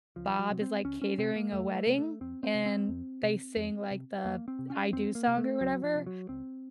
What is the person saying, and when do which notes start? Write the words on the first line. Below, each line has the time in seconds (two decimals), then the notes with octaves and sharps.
Bob is, like, catering a wedding, and they sing, like, the "I Do" song or whatever,
0.16 C#2 F3
0.39 F#3
0.50 C3
0.62 C4
0.84 C#2 C#4
1.02 C#4
1.18 C3 C4
1.36 A#3
1.52 F2 A3
1.75 A3
1.86 C3
1.98 A3
2.21 F2 C4
2.43 C4
2.55 C3
2.66 C4
2.89 F2
3.23 C3
3.56 F2
3.91 C3
4.24 F2 A#3
4.48 C4
4.59 C3
4.70 C#4
4.92 F2 C4
5.15 A#3
5.27 C3
5.37 A3
5.60 C#2 F#3
5.83 F3
5.95 C3
6.06 F#3
6.28 C#2 C4